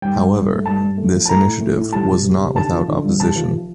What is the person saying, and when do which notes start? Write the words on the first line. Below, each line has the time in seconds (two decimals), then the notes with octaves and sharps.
However, this initiative was not without opposition.
0.02 G2 G5
0.18 G2
0.34 G2
0.50 A3
0.66 G2 A5
0.82 G2
0.97 A3
1.13 F3
1.25 A5
1.29 A3 A#5
1.45 A2
1.61 A3
1.77 A2
1.93 G3 A5
2.09 C3
2.24 C3
2.40 C3
2.56 D3 A5
2.73 F3
2.88 D3
3.04 G2
3.20 C3 A5
3.36 F3
3.52 F3